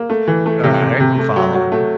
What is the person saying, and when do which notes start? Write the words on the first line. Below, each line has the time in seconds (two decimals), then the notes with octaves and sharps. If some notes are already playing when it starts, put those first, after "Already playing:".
All right, I'm following you.
Already playing: A#3
0.10 A3
0.28 E3
0.46 A3
0.64 C3
0.82 C3
1.00 C3
1.19 A3
1.36 F#3
1.54 F#3
1.72 A3